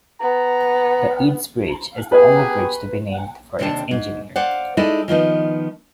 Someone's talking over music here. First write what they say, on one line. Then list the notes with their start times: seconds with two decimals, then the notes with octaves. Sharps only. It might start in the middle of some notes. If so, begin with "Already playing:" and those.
The Eads Bridge is the only bridge to be named for its engineer.
0.21 B3 A#5
2.12 B3 G4 G#4 B4
3.59 D#2 C3 C4 D4 A5
3.91 G#2
4.36 C5 D5 F5 F#5
4.77 G#3 D#4 E4 A4 D5
5.08 D#3 F3 B3 D#4